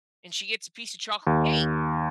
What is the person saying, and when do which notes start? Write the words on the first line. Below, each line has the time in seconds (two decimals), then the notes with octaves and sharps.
and she gets a piece of chocolate cake.
1.27 D#2